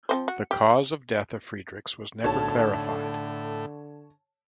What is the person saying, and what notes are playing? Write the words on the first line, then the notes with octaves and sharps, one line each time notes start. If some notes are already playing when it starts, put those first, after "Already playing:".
The cause of death of Friedrichs was never clarified.
F3 C4 C5
F#4
G4
B1 A2 D3 C#5 A5